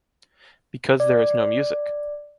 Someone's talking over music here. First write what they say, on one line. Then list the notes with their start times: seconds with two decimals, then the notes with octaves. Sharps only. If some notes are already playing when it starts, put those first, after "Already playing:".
Because there is no music.
1.00 D5